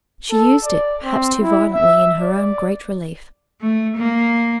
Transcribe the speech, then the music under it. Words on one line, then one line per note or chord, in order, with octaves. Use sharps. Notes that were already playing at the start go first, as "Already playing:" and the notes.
She used it perhaps too violently in her own great relief.
A4
D5
C4
E4
E5
D5
A3
A#3